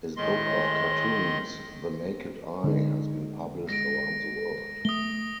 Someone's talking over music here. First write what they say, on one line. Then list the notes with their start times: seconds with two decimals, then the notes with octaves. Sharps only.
His book of cartoons, "The Naked Eye", has been published around the world.
0.17 A2 D#3 G#3 D#5 C6
2.64 D3 G#3 D#4 G#4
3.69 G#3 A#6 D7
4.85 A3 D#6 G7